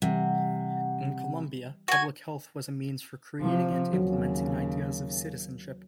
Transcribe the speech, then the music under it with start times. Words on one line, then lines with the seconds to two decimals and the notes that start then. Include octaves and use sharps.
In Colombia, public health was a means for creating and implementing ideas of citizenship.
0.02 C3 E3 G3 F#5
1.88 F#4 G#5
3.40 C3 F3
3.93 D#2 C#3 F#3